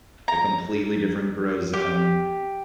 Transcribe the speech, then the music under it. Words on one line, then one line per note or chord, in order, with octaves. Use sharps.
A completely different grow zone,
A#5
G4